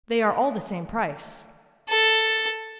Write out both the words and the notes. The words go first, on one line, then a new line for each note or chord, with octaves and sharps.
"They are all the same price."
A4